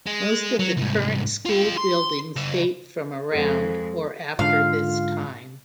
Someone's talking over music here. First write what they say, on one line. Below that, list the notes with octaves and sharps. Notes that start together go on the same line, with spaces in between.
Most of the current school buildings date from around or after this time.
G#3
F#3
C2 G#2
F4 G5
C6
C#3 E4
F2 G#3 A4
G#2 D3 F4 F5